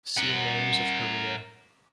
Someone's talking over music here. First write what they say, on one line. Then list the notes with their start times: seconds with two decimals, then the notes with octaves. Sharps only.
See Names of Korea.
0.17 A#4 F#5